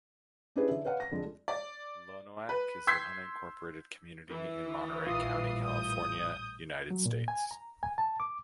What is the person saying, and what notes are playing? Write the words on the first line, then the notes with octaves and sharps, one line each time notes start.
Lonoak is an unincorporated community in Monterey County, California, United States.
C#4 D4 E4 G4 G#4 B4
D3 E5
B4 C#5 F5 F#5
A#6
F2 D3 G#3
D5
B4
C6 E6 G6 G#6 B6 C7
E3
A#1 A2 G3 F4 D#6 C7
D#6 G6
F#3
A#2
G#5
A#5
G#5
A5
D6